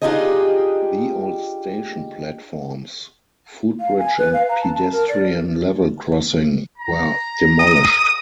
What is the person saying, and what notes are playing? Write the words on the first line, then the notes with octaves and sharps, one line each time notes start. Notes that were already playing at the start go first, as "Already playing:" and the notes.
The old station platforms, footbridge and pedestrian level crossing were demolished.
D4 D#4 F4 G4 G#4 D#5
F5
G#5
B4
F5
A#5
A5
A5
A#4
D5
A#5
D#6